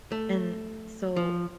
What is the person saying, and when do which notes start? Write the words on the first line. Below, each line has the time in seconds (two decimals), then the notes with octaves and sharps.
And so,
0.12 A3
1.16 F3